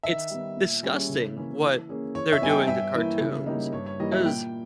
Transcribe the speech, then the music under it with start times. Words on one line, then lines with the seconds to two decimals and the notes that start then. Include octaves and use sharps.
It's disgusting what they're doing to cartoons, 'cause
0.03 D#3 E5
0.30 G3 B3
0.57 A#2
0.83 G3 C#4 G#4
1.09 C#3
1.36 E3 A#3 C#4
1.62 E3
1.89 A#3 C#4 G#4
2.15 E3 C#5
2.32 E5
2.41 G3 B3 D#4 G#5
2.50 G5
2.68 G2 E5
2.94 E3 A#3 E4
3.20 C#3
3.46 G3 A#3 D#4
3.73 G2 C#5
3.86 C#5
3.99 E3 G3 A#3 D#5
4.12 E5
4.25 A#2 G5